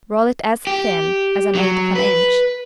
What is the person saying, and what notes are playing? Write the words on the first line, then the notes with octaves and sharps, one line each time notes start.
Roll it as thin as an eighth of an inch.
G4
F#3
B4